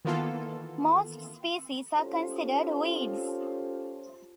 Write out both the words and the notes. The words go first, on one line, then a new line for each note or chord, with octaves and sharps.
Most species are considered weeds.
D#3 E3 A#3 B3 F4 A4
C#4 F4 G4 A4 C5 C#5